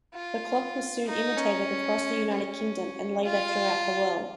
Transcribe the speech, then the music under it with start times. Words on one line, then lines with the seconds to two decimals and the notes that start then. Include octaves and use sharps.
The clock was soon imitated across the United Kingdom and later throughout the world.
0.14 F4
1.06 D#4
1.37 C#4
2.32 C#4
3.24 F4